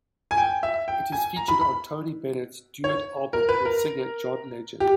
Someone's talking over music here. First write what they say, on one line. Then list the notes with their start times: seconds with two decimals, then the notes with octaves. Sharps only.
It is featured on Tony Bennett's Duet album with singer John Legend.
0.31 G#5
0.38 G5
0.63 E5
0.88 G5
1.12 G#5
1.36 A#5
1.48 B5
1.61 B5
2.84 C#5
3.33 A#4
3.49 B4
3.65 A#4
4.80 G4